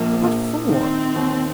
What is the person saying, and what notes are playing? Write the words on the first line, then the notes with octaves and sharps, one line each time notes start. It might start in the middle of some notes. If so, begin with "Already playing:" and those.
What for?
Already playing: A#1 A#2 F3 A#3
A#1
D#3 C4
D#2